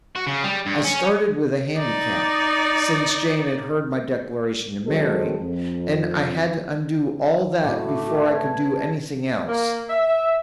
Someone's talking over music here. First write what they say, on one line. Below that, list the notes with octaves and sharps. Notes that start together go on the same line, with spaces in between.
I started with a handicap, since Jane had heard my declaration to Mary, and I had to undo all that before I could do anything else.
F#4
C#3
G3
G2
C#4
D#4 D5
D#3 F#3 G#3 C4 G#4 A4
F2
A2 A3 E4 F#4 D6
B4 A5 G#6
A#3
E5